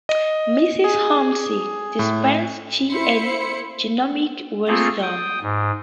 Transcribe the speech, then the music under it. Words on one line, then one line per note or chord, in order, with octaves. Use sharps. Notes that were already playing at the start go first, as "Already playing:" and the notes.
Mrs. Holmes dispensed tea and gnomic wisdom.
D#5
G#4
A2
E4 C5 B5 C#7
A3 A#3 C4 F4 G#4 A4
G5 D#6
G#2